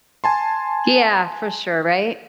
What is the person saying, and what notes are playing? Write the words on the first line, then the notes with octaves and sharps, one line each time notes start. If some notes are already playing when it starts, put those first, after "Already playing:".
Yeah, for sure, right?
G#5 A5 C6